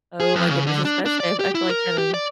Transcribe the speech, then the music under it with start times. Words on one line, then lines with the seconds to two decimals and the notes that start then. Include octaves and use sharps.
Oh my goodness, especially if I feel like, kind of
0.20 G#4
0.35 F2
0.50 C#3
0.67 D3
0.85 D4
1.06 D4
1.20 D5
1.39 G4
1.55 E4
1.69 A#4
1.98 G4
2.14 D5